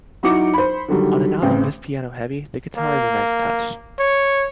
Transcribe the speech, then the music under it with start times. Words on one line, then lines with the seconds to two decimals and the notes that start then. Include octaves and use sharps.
On an album this piano-heavy, the guitar is a nice touch.
0.23 F#3 D#4 E4 F#4 D6 C#7
0.54 C5 B5
0.88 D3 D#3 F#3 G3
1.42 A1 C#3 C4 G5
2.77 A#3
3.99 C#5